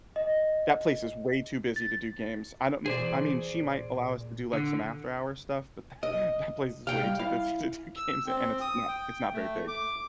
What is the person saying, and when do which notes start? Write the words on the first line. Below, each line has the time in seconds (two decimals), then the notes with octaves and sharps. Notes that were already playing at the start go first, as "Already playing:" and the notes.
That place is way too busy to do games. I don't kn I mean, she might allow us to do, like, some after hours stuff, but tha that place is way too busy to do games, an and it's not it's not very big.
0.16 D#5
1.76 A6
2.86 B2 E3 G#4 C5 D5
3.30 A#2
4.53 D3
6.03 E1 D#5
6.87 C3 F5 G5
7.03 G3
7.19 E4 F5
7.96 E6
8.26 C4
8.61 D#6
8.88 G5
9.33 A3
9.68 D6